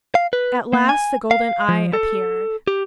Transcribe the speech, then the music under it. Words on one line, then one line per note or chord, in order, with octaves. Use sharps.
At last the golden Eye appeared.
F5
B4
A#3
G#5
F5
F3
A4
G4